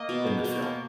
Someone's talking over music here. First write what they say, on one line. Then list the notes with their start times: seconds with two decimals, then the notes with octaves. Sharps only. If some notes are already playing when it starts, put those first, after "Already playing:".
in the film.
Already playing: A#3 D#5
0.09 B2
0.27 A#3
0.44 B2
0.62 A#3